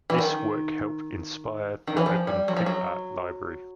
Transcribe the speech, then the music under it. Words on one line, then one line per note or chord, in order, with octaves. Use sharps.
This work helped inspire the Open Clip Art Library.
E3
D#3
D#3
E3
F3
G3
F#3
F3
F#3